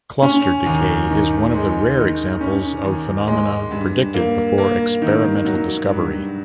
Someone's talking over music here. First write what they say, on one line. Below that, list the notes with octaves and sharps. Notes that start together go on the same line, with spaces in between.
Cluster decay is one of the rare examples of phenomena predicted before experimental discovery.
C#4
D#2
D#3
G#3
D#3
C#4
D#2
G#3
G2
A#3
A#3
D#3
F#3
G2